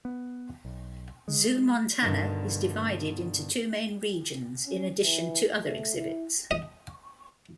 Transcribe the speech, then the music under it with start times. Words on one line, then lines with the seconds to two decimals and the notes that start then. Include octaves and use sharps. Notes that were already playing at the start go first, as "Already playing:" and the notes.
ZooMontana is divided into two main "regions" in addition to other exhibits.
0.05 B3
0.65 B1
1.28 G#3
2.02 G2 B2 D3 D#3 D#4
4.66 C#4
5.01 E3
5.60 A3
5.97 E4
6.51 D#5